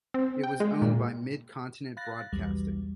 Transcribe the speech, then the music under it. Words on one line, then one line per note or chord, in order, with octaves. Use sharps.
It was owned by Mid-Continent Broadcasting.
C4
G5
G#3
A#2
F5 B5 F#6 A6 A#6
B1 E2 G3